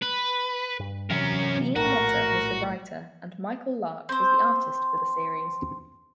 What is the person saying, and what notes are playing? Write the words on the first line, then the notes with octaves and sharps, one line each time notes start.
Dean Motter was the writer and Michael Lark was the artist for the series.
B4
G2
C3 E3 F#3 C#4 A#4
A#1 A2 F#4 A#4
C4 C5